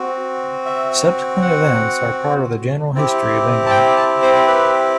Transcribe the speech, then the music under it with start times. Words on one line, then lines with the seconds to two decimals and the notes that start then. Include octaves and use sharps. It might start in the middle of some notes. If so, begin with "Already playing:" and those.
Subsequent events are part of the general history of England.
Already playing: C4 F#4
0.66 E5
1.42 F#5
2.94 C4 E4 G4
3.66 A5
3.71 G5
3.97 A5
4.22 C5
4.47 B4